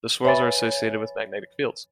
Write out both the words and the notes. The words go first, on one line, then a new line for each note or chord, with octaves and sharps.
The swirls are associated with magnetic fields.
B4 C#5 E5 G#5 B5 A6